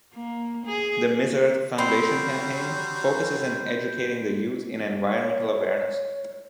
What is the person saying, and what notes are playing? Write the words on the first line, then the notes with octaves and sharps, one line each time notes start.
The Miss Earth Foundation campaign focuses in educating the youth in environmental awareness.
A#3
G#4
F#3 G3 C4 C5 B5 C7
C#5